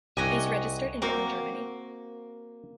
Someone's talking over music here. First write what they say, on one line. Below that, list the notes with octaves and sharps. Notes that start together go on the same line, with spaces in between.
It is registered in Bonn, Germany.
C2 F#4 G4 D#5 G#5
A#3 C4 F#4 A#4